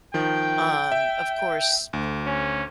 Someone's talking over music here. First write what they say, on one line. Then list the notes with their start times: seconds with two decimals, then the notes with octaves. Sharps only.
um, of course,
0.14 D#3 F3 G5
0.92 E5
1.93 D2
2.26 C#4